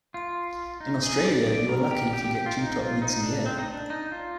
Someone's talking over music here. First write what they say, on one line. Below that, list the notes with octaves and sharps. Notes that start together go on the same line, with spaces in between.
In Australia you are lucky if you get two top meets a year.
F4
D#4
G#4
D5
D5
A#4
G4
G4
G4
G4
F4
D#4
F4
D#4
D4
C4
D#4
D4
D#4
F4